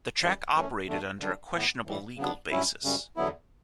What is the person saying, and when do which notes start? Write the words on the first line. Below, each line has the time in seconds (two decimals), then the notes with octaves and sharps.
The track operated under a questionable legal basis.
0.22 F#2 E3 G3
0.54 F#2 E3 A3 C#4
0.86 E2 D3 A3 D4
1.19 F#2 D3 G3 D4
1.53 A2 E3 B3
1.86 A2 E3 G3
2.18 C#3 F#3 B3 D4
2.51 G2 F#3 C#4 E4
2.84 F#2 C#3 G3 C#4
3.16 E2 D3 F#3 B3 E4